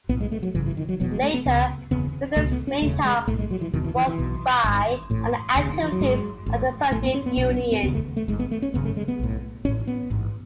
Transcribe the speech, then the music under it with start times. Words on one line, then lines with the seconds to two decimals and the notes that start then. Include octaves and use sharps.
Later, Wisner's main task was to spy on the activities of the Soviet Union.
0.09 B1 A2 B3
0.21 G#3
0.32 A3
0.43 F#3
0.55 G#1 F#2 C#3 E3
0.66 E3
0.77 D#3
0.89 F#3
1.00 E1 E2 B2 F#3
1.11 G#3
1.23 A3
1.34 B3
1.46 C#2 C#3 B3
1.91 F#1 E2 C#3 B3
2.36 C#2 B2 A3
2.52 B3
2.67 C#4
2.82 E1 D#2 C#3 A3
3.05 G#3
3.27 B1 A2 A3
3.39 G#3
3.51 F#3
3.61 E3
3.73 F#1 E2 B2 D#3
3.84 E3
3.96 E3
4.07 E3
4.18 B1 B2
4.64 G#1 G#2
5.10 A1 A2
5.55 E1 D#2 C#3
5.74 D#3
5.83 E3
5.92 F#3
6.01 G#1 G#2 G#3
6.46 A1 A2
6.91 A2 A3
6.95 A1
7.03 B3
7.14 C#4
7.26 B3
7.37 B1 B2 B3
7.49 C#4
7.60 B3
7.72 B3
7.83 E1 D#2 C#3 B3
7.94 A3
8.17 A3
8.28 G#1 G#2 G#3
8.40 B3
8.51 A3
8.62 C#4
8.74 G#1 F#2 C#3 B3
8.85 A3
8.97 G#3
9.08 B3
9.19 B1 A2
9.65 A1 C#4
9.69 A2
9.87 B3
10.10 A1 G#2